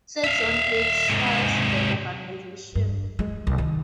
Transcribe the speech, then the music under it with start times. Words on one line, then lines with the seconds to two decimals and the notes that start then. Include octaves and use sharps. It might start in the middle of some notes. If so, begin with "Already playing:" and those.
Sir John Gieve chairs the organisation.
0.24 E5 F5
1.09 G#2 C3
2.75 G2
3.19 G#3
3.47 C2
3.58 D#3